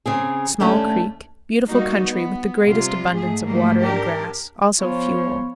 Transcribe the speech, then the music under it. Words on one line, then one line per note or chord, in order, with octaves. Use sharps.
Small Creek.--Beautiful country, with the greatest abundance of water and grass; also fuel.
C#3 C4 G#4
D#2 A3 C#4 D4 G4
G3 A#3 D#4 F#4
B3
C3 G3 F4
G#2 A3 G#4
G#2 F#3 G3 A3 A#3
D4 G4 A#4
F3 B3 C#5